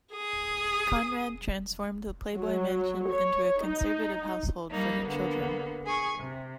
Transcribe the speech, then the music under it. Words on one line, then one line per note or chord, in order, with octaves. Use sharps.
Conrad transformed the Playboy Mansion into a conservative household for her children.
G#4 D#6
F#3
C#5
D#4
G3 A#3 D#4
D3 A#3 B3
G#4 G#5 C#6
C3